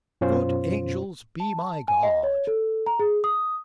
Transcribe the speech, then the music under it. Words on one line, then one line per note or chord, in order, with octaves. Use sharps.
Good angels be my guard!
F#2 B2 C#4 F4 C5
A5
G#5
D#5
C#5
A4
A#5
G#4
D#6